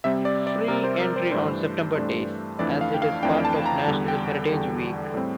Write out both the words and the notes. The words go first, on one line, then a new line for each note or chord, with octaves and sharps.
Free entry on September days as it is part of National Heritage Week.
C3 G3 C4 E5
D5
D5
C3 G3 C4 A#4
C5
A#4
C5
G2 E3 A3 D4 C5
G2 E3 A3 D4
F2 E3 A3 D4 D5
F5
G5
F5
F2 E3 A3 D4 G5
A5
A#5
E2 D3 G3
G5
E2 D3 G3
A2 G3 C4